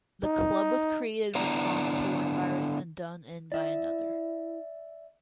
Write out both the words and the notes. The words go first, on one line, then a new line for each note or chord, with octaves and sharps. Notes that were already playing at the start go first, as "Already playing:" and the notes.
The club was created in response to one virus and done in by another.
D#4
D3 B3 D4 E4 A#5
E4 D5 E5